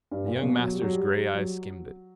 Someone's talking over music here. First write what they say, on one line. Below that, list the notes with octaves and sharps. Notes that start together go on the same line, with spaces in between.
The young master's grey eyes skimmed it.
G2
A#2
B2
F#3
G3
F#3
G3
F#3